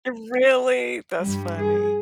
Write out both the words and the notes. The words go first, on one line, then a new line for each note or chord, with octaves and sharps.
Really? That's funny.
G2 G3
G#4